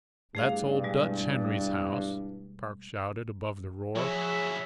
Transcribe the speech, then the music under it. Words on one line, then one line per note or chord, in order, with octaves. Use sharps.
"That's old Dutch Henry's house," Park shouted above the roar.
E2 G2 A3 G#4 F5
B2 G3 G#3
F3 F#3 E4 G#4 C#5 E5 C#6